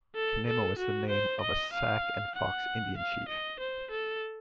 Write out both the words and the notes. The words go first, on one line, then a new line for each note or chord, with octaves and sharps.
Quenemo was the name of a Sac and Fox Indian chief.
A4
A4
F#4
C5
D#5
F5
F#5
F5
D#5
C5
A4